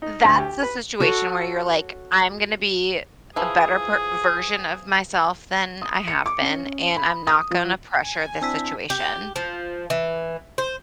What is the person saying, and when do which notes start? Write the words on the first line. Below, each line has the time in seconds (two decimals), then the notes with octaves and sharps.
that's the situation where you're, like, "I'm gonna be a a better per version of myself than I have been, and I'm not gonna pressure this situation."
0.02 D#4
0.25 D2
0.38 G4
0.62 B4
1.00 F#4 A4 C#5
3.36 E3 F3 G#4
5.82 D#6
6.08 C#7
6.26 D6
6.41 C#4
6.96 B5
7.27 D#6
7.51 F3
8.02 G#5
8.41 C4 D4 E4 A5 E6 B6
8.90 G4
9.36 F3
9.90 E3
10.58 C5